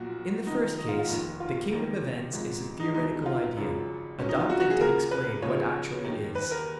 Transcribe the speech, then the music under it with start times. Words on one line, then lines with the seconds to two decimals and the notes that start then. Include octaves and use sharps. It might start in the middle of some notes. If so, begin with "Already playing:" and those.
In the first case, the kingdom of ends is a theoretical idea, adopted to explain what actually is.
Already playing: B1 A#2 F3 F#4
0.47 F1 F2 D#3 D#4
0.78 D#4
0.88 F4
0.99 F4
1.09 F1 D#2 D#3
1.40 F4
1.71 F1 D#2 D#3
2.33 G#1 G#2 F3
2.80 D#4
2.94 C#2 B2 D#4
3.26 F4
3.57 G#1 F#2 C#3 F3
4.18 C#2 B2 C#4
4.29 D#4
4.40 F4
4.50 F#4
4.60 F#4
4.70 G#4
4.80 D#2 C#3 F3 A#4
5.11 B4
5.42 D#2 C#3 F3 C#5
6.04 D#2 D#3
6.35 B4
6.51 A#4